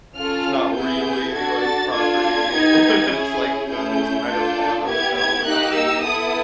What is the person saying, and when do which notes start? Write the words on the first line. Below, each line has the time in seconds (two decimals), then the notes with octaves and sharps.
it's not really anybody's property, a and it's, like, you know, just, kind of, on the hotel, but not really,
0.16 C#4 F4 A4 F6
0.74 B3 E4 G#4 G6
1.33 D4 F#4 A4 G#6
1.63 A6
1.92 D4 F4 A4 G#6
2.51 B3 D#4 G4
3.09 C#4 E4 G#4
3.68 A3 C#4 E4 G#4 G6
4.27 D4 F4 A4
4.86 B3 E4 G4 G#6
5.16 G#6
5.44 A#3 D#4 G4 F#6
5.74 E6
6.03 B3 E4 A4 D#6